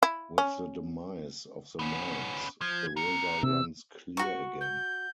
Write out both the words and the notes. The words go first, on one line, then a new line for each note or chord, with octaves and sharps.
With the demise of the mines, the river runs clear again.
E4
C#4
B3 C#4
F3 G#6
E3 A#4 C#7
C3 E6
F#4 C#6
G6